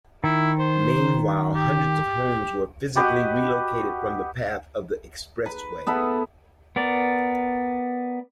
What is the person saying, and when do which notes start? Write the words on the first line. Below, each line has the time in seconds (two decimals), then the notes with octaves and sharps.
Meanwhile, hundreds of homes were physically relocated from the path of the expressway.
0.24 D#3 E4
0.59 C5
1.55 G4
2.95 F#4 G4 B4 D#5
5.46 B4
5.87 B3 E4 A4 B5
6.76 B3 A#4 D5